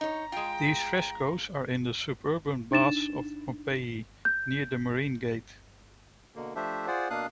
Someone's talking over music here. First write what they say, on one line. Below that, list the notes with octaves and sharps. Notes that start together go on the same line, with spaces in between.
These frescoes are in the "Suburban Baths" of Pompeii, near the Marine Gate.
D#4 C#5 A#5
G#3 F4 G5
D4 D#4 A6 E7
G6
B2 D3 A#3
F3 A3 D4 G4 C5 E5
F4 G#4 C5 D5 F#5
B2 A#3 D4 F5 D#6 F#6